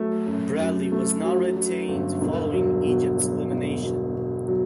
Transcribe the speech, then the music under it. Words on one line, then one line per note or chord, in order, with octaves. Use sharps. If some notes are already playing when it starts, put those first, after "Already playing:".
Bradley was not retained following Egypt's elimination.
Already playing: F#3 A3
F#2
F#2
A3
F#3
F#3
G1
E1
F#3
B2
F#3
E1
B2
B2
F#3